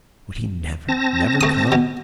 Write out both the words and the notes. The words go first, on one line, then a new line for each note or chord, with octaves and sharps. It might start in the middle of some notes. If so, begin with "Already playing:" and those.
Would he never, never come?
C4 A5 A#6
A3 D#6
B2